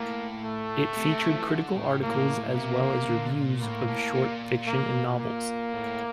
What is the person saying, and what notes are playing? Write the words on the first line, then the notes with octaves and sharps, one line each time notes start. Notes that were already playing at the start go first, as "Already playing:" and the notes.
It featured critical articles as well as reviews of short fiction and novels.
Already playing: A2 A#3
A3
C3
F3
E3
D3
A2
A2 A#3
C3 A#3
C3
D3
C3
A#2
A2 A#3
A2
A#2
A#3
A#3
A2